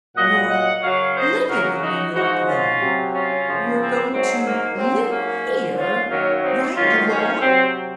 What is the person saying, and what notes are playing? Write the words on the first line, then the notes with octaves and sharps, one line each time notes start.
"You're LIVING in New York, then--you're going to live here right along?"
A#2 F#3 D#5 F#5
D#5 F#5
F#2 C#3 F#3 C#5 F5
C5 D#5
F#2 C#3 F#3 F#4 A#4
D#4 F#4
G#2 F3 D#4 F#4
C#4 F4
C3 F#3
C#4 F4
F#2 C#3 F3
C4
G#2 F#3 C4
A#3
G#2 F#3 C4
A#3 C#4
G#2 F3
C#4 F4
F#2 D#3 F#3 A#3 C#4
C4 D#4
G#2 D#3 F#3 C#4 F4
A#3 C#4
C3 F#3 C4